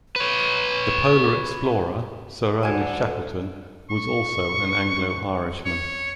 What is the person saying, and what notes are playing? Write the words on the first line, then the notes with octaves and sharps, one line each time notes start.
The polar explorer Sir Ernest Shackleton was also an Anglo-Irishman.
B4 C#5
D2 D3 G#5 G#6
C#6
C#5